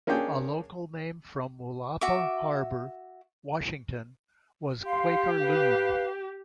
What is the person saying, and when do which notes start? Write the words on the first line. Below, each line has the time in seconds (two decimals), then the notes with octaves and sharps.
A local name from Willapa Harbor, Washington was "Quaker loon".
0.07 A#3 C#4 D4 G#4 G5
2.01 F#4 E5 D6
4.86 G4 F5 C6
5.40 B4 F5